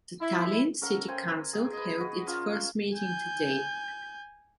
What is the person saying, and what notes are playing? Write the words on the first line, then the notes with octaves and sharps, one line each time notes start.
The Tallinn City Council held its first meeting today.
E4
C#4 A4 A#4 F#5
C5 G5 G#5
G#4 G5
B4 D#5
F#4 B4 D#5
F3 C#4 F4 A#4
G#5 G6